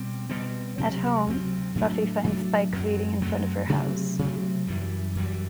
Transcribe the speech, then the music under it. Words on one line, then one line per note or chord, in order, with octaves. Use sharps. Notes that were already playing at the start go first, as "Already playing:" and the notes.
At home, Buffy finds Spike waiting in front of her house.
Already playing: B2 G3 C4
B2 G3 C4
D2 C3 F#3 C4
D2 C3 F#3 C4
A2 F#3 A3 D4
A2 F#3 A3 D4
F#2 F#3 A3 C4
F#2 F#3 A3 C4
C3 F#3 A3 C4
C3 F#3 A3 C4
F#2 E3 G3
F#2 E3 G3